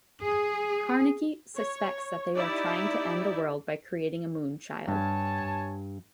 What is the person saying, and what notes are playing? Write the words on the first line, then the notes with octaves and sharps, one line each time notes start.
Carnacki suspects that they are trying to end the world by creating a Moonchild.
G#4
C#5
D#4 E4 G4 D5
G2 C#5 G#5 A5